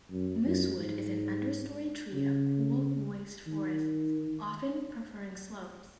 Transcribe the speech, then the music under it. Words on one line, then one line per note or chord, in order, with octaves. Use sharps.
Moosewood is an understory tree of cool, moist forests, often preferring slopes.
F#2
F#2
G#2
C#3
D#3